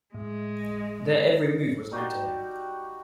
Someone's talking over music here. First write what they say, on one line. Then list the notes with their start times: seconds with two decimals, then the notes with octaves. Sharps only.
Their every move was known to him.
0.14 A2 G#3
1.91 G3 D#4 F#4 G4